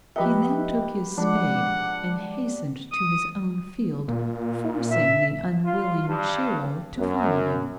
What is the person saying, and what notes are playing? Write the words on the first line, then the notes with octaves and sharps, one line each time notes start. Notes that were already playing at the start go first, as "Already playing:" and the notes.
He then took his spade and hastened to his own field, forcing the unwilling Shiro to follow him.
F3 G4 B4 D#5 E5 F#5 G5
F3 G#3 D4 F#5 D6
D#6
A#2
E5
F4
G2
F#2